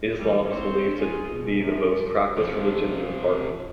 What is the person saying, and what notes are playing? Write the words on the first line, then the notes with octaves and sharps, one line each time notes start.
Islam is believed to be the most practiced religion in the department.
E3 G3 A3
C4 C5 C#5
F4 G#4
B2
F#2 F3
C3 F3